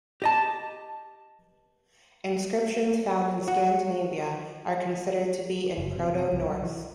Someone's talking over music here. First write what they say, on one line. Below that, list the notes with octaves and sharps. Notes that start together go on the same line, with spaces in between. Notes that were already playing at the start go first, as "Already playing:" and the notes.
Inscriptions found in Scandinavia are considered to be in Proto-Norse.
G4 D#5 A5
F#4
F#1
C3
C3
C2
F#3
E3